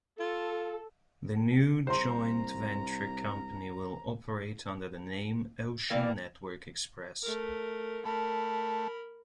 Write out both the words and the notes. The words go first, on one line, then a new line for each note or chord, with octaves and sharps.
The new joint venture company will operate under the name "Ocean Network Express".
F4 A4
C2 C5 A#5 C6
E3 A#3 D5 G5
A3 A#4
A3 A#4 B5